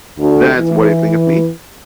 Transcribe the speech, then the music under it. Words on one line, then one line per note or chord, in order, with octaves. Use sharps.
That's what you think of me?
D2
E3